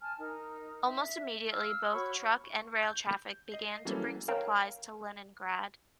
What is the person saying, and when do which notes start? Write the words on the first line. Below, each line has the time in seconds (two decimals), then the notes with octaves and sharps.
Almost immediately, both truck and rail traffic began to bring supplies to Leningrad.
0.01 G#5 A5 F6
0.18 D#4 A#4
0.86 E5
1.51 F5 E6 F6
1.92 F#4 C#5 B5 C#6
2.44 C#6
2.83 G6
3.52 D#5 C7
3.85 E3 F#3 G3 A#3 C#4 A4
4.28 A#4 C#5 F5 G5 A#5